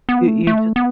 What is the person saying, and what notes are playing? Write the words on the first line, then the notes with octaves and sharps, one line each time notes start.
You you ju
B3
A3
A3
B3